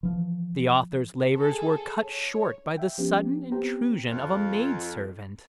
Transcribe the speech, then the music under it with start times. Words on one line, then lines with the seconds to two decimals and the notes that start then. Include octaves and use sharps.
The author's labours were cut short by the sudden intrusion of a maidservant.
0.03 E3 F3
1.37 G#4 A4
2.07 C#5
2.77 E5 G5
2.98 F3 B3 C#4 G4
3.52 B3 C4 G4 C5 G5 A#5
4.07 F2